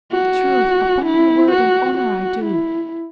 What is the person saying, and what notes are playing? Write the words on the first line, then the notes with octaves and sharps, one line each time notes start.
'The truth, upon my word and honour I do.
F#4
E4
F#4
F#4
E4